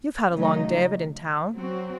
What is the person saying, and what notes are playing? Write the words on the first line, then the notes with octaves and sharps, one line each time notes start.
You've had a long day of it in town.
C#3 F#3 A3 D#4
F#3 C4 F#4